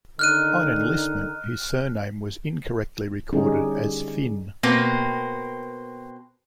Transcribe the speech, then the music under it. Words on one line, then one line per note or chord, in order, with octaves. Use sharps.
On enlistment his surname was incorrectly recorded as "Fynn".
D3 D#3 D#4 F6 F#6 D#7
D3 G3 C#4 D#4 G#4
B2 A#3 C4 B4